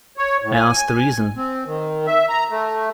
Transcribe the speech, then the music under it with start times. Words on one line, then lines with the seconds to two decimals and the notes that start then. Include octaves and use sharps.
I asked the reason.
0.17 C#5
0.42 A2
0.55 G#5
1.36 C4
1.66 D#3
2.07 E5
2.29 A#5
2.50 A3